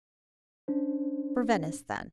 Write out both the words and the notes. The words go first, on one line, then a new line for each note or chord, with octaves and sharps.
'For Venice, then.
C#4 D4 C5